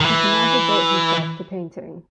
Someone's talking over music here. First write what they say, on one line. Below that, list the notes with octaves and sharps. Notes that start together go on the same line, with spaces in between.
He can now devote himself to painting.
D#3
E3